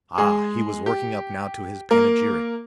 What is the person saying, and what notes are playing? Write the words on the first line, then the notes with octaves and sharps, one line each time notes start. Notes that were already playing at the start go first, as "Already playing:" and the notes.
Ah! he was working up now to his panegyric!
G#3 G#4
G4
A#3 A#4